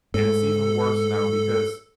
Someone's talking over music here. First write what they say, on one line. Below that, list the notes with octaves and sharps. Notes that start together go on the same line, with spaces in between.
And it's even worse now because
G#2 A4